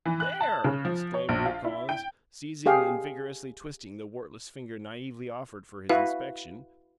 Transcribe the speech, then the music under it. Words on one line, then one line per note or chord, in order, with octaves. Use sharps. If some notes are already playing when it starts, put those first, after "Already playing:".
"There!" exclaimed Rupe Collins, seizing and vigorously twisting the wartless finger naively offered for his inspection.
E3
F#6
A5
C#3
F3
C#5
A#1
F4
E4
G5
G4 G#4 F5 G5
E4 F#4 B4 F5